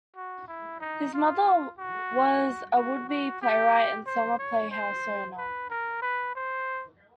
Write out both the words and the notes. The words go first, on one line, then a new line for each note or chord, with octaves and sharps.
His mother was a would-be playwright and summer playhouse owner.
F#4
E4
D#4
F4
F#4
F#4
F#4
G4
C5
C#5
C5
B4
A#4
B4
C5